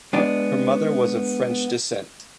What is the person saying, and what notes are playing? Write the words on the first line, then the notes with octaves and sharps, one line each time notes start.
Her mother was of French descent.
G#3 B3 D4 D5